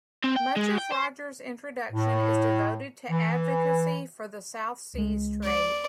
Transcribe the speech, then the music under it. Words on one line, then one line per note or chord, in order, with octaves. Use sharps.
Much of Rogers' introduction is devoted to advocacy for the South Seas trade.
C4
G5
G#3
G5
C5
A2
E3
C#2 G#3
D5